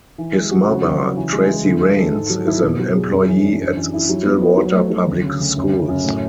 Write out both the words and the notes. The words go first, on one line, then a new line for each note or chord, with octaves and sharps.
His mother, Tracey Rains, is an employee at Stillwater Public Schools.
E3
G#3
F#4
C#3
F#3
C#3
E3
G#3
E3
D3
G#3
A4
G#2
F#3
E4
B2
F#3
G#4
F#2
E3
D4
F#2
E3
E4
F#3
B3
B4
F#3
A3
F#3
D2
C#3
D2
F#2
C#3
F#2
A2